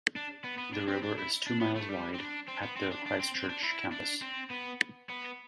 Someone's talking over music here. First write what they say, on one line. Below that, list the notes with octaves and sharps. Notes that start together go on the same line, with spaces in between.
The river is two miles wide at the Christchurch campus.
D4
B3
B3
D4
C4
D4
E4
D4
B3
A3
G3
C4
D4
C4
B3
C4
D4
D4
C4
C4
D4
E4
D4
C4
B3
B3